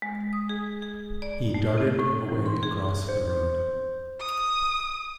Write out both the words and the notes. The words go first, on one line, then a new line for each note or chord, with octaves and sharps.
He darted away across the road.
G#3
D#6
G#4
G#4
D5
A3
C4
A2
E3
C6
G#4
C5
D#6